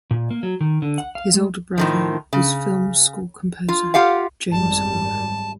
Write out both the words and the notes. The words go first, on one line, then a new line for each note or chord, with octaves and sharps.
His older brother was film score composer James Horner.
A#2
A#3
F#3
D#3
D3
F#5
F5
G#3
A2 D#3 F3
C#3
F4
F4 G4 F5 F#5
G#1 F#2 G3 A5